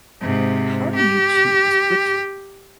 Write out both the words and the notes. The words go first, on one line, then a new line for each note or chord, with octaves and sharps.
how do you choose which
G#2 C3
G4